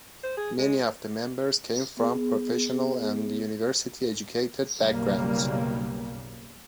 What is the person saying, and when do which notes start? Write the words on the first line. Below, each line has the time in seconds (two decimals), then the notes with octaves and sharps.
Many of the members came from professional and university-educated backgrounds.
0.23 C5
0.37 G#4
0.58 G#3
1.97 B3 G#4
4.79 F#1 B1 C#3 G3 A#3